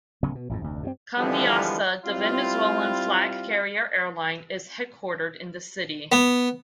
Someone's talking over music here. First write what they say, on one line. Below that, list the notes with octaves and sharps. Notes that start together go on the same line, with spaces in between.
Conviasa, the Venezuelan flag carrier airline, is headquartered in the city.
D1 C#3 F#3 B3
B2
A1 F2 G#2
F1 D2
G2 C3 C4
D3 E3 F3 G3 G#3 B3
G3 C4 E4 F4
B3